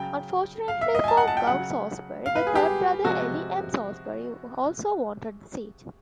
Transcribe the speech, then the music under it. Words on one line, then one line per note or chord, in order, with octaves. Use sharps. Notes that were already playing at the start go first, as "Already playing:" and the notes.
Unfortunately for Gove Saulsbury, the third brother, Eli M. Saulsbury also wanted the seat.
Already playing: C#3 F#3 G5
F5
E5
D#5
G#5
A5
F#5
A5
G5
C#3 F#3 F#5
F5
B4
G#4
G4
C3 F3 G#3 F#4